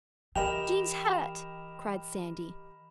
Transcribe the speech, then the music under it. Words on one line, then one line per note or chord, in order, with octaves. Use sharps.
"Jean's hurt," cried Sandy.
E3 G4 A#4 D#5 G5 B5 E7 F7